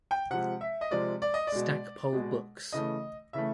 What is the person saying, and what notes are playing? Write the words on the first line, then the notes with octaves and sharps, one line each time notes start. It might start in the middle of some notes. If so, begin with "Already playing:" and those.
Stackpole Books.
G5
C3 F3 G#3 F#5
E5
D#5
C3 F3 G#3 D5
D5
D#5
D5
B2 G#3
B2 G#3
C#3 E3 A3 D#5
C#3 E3 A3 E5